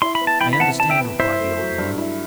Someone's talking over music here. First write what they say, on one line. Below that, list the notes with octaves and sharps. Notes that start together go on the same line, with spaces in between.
"I understand," replied the old man.
E4 C6
B5
B3
A5
E3 G5 B5
B5
C3 F#5 A5
E4 A5
E5 G5
B3
E4 C5 E5
A3
F#3
G2
E4